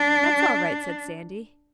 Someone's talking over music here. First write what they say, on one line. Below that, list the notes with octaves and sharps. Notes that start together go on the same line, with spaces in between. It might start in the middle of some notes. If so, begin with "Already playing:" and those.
'That's all right,' said Sandy.
Already playing: D4